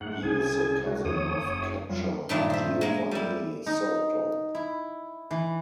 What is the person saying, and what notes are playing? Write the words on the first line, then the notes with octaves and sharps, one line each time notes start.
He is the cousin of catcher Geovany Soto.
G#2 A3 F#5
C2 C#3 G#4 G#5
G#3 F#4
E2 D#3 F3 C#5 D#6
F#1
F2 F#3 G3 F4
G2 A#2 D#3 A3 D4 E4
C5 E5
G#3 A#3
G3 E4
D#4
E4
E3